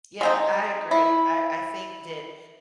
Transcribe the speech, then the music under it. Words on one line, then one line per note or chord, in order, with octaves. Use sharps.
Yeah, I agree. I I think that,
G#3 C4 D#4
E4